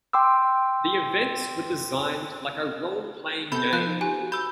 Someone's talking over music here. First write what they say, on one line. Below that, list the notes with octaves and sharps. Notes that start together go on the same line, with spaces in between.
The events were designed like a role-playing game.
G5 C6 D6 E6
C3 B3 A4 B5 G6
F3 F#6 G6
D#4
G4 G#5
F#4
B5 E6 G6